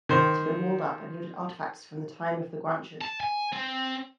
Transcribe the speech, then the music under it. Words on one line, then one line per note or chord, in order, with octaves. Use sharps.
It had been walled up and yielded artefacts from the time of the Guanches.
D#3 C5
A5
G#5
C4